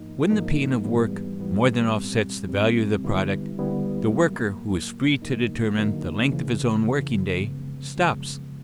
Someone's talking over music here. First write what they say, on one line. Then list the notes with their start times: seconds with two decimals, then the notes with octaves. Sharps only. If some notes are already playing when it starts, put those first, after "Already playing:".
When the pain of work more than offsets the value of the product, the worker who is free to determine the length of his own working-day, stops.
Already playing: G#2 F3 A#3 D#4
0.30 G#2 F3 A#3 D#4
0.84 G#2 E3 G3 B3
1.40 G#2 E3 G3 B3
1.95 A#2 G3 C4
2.49 A#2 G3 C4
3.03 D2 D3 G3 B3 E4
3.58 D2 D3 G3 B3 E4
4.13 A2 F#3 A#3
4.68 A2 F#3 A#3
5.22 D#2 D3 F#3 A#3 D#4
5.77 D#2 D3 F#3 A#3 D#4
6.32 E2 C#3 E3
6.87 E2 C#3 E3
7.41 F#2 C#3 F3 G#3 B3
7.96 F#2 C#3 F3 G#3 B3